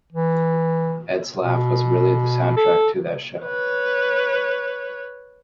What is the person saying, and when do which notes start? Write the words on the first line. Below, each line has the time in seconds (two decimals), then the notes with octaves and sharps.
Ed's laugh was really the soundtrack to that show.
0.13 E3
1.40 B2
2.57 A4
3.44 B4 C#5